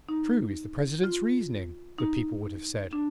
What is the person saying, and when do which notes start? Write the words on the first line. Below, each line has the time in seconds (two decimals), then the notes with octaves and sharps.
"How true is the president's reasoning," the people would have said.
0.09 D#4
1.04 F4
1.98 D#4
2.93 D4